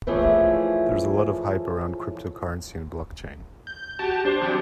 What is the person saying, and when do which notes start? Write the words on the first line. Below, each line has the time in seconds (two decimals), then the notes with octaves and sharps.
There is a lot of hype around cryptocurrency and block-chain.
0.07 E3 F3 A3 C#4 G#4
3.67 G6
3.99 F#4 G4 A5
4.25 G3 D4 C5
4.42 G2 B2 F#3 D4